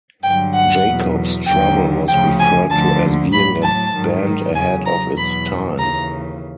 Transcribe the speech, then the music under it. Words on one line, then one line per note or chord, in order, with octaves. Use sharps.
Jacob's Trouble was referred to as being a band ahead of its time.
G2 D3 F#3 G5
F#5
E2 B2 F#3
D#2 D3 F#3 G5
D2 C#3 F3 G5
G#5
D2 D3 F3 A5
A2 F#3 B5
A5
G#2 D#3 F#3
E2 C#3 F#3 G#5
A#5
E2 B2 F#3 B5
D#2 C#3 E3 A#5